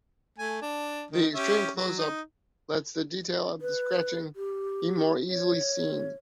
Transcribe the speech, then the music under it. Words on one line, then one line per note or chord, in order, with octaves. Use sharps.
An extreme close up lets the detail of the scratching be more easily seen.
A3 G#5
D4
D#3
C#4 G4 E5
F#3
D#4
B4
G4
C#5